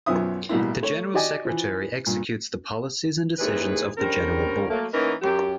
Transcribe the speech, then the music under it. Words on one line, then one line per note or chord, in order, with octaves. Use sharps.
The General Secretary executes the policies and decisions of the General Board.
B1 F#2 F3 B3 E5 D#6
A1 B2 G3 A#3 E4
A3 C#5
F#4 G4 D5 D#5 G#5
E3 F3
G2 A#2
D#2 G#2 G3 E4 G#4 B4
D3 G3 C4 C#4 A#4
F#3 A3 A#3
E3 A#3 B3 C#4 D#4 A#4
F#2 G4